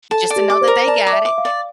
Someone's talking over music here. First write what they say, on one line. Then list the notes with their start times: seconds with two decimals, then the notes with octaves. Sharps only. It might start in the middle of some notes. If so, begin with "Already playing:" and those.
just to know that they got it,
0.11 A4 A5
0.30 D5
0.36 G4
0.50 D6
0.61 C5
0.68 A#4
0.87 D5 A5
1.07 D6
1.13 E5
1.25 D6
1.38 F5
1.45 D5